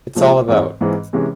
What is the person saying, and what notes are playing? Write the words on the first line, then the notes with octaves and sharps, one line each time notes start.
It's all about.
A#2 F3 G#3 C4
G#2 E3 G#3 C4
G#2 E3 G#3 C4
C3 E3 G#3 C#4